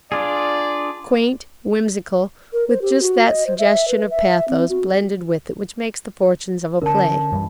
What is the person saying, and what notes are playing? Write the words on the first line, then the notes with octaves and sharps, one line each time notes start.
Quaint, whimsical, with just that suggestion of pathos blended with it which makes the fortunes of a play.
D4 F4 G#4 D5
A#4
C5
G4
F#4
D#5
C5
E5
B4
E5
C4
F#4
D3 C#4 A#4 A5
G2 E3 G3